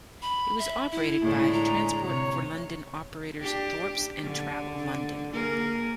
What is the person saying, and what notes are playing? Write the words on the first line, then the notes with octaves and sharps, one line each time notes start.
It was operated by Transport for London operators Thorpes and Travel London.
B5
E5
E4
A2 D3 G#3
A#5
C3 C#5
D4 G4
D3
A#3 G#4 A#4